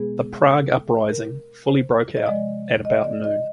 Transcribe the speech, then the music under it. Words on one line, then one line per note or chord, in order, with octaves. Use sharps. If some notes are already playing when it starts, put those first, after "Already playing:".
The Prague Uprising fully broke out at about noon.
Already playing: B2 G#3 B3 G#4
A4
A#4
C5
D#5
C3 F3 G#3 D5
D#5
D5
D#5